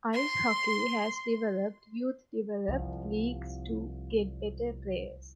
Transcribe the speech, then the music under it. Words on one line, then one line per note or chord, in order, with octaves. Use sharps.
Ice Hockey has developed youth developed leagues to get better players.
C6
C2 F3